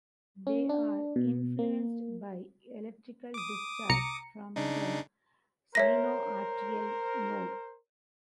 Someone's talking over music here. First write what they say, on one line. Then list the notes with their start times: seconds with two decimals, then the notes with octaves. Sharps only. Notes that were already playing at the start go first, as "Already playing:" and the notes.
They are influenced by electrical discharge from the sinoatrial node.
0.47 C#4
0.69 D4
1.16 B2
1.59 A#3
3.34 D6 D#6
3.89 C2 A#5 C#7
4.56 C#3 D4 D#4
5.75 A#4 C5 C#5 E5 A#6